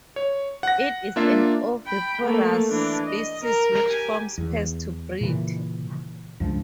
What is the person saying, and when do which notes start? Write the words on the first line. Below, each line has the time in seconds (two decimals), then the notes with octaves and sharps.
It is an oviparous species which forms pairs to breed.
0.16 C#5
0.63 F#5 A#6
1.16 A#3 D4 F4 E5
1.86 G5 B5
2.21 A3 A#3
2.70 E3 D4
3.06 D#5
3.44 A#4
3.87 G4 G#5
4.38 E2
5.21 A#2 C#3 E3
6.40 C#2 G2 F3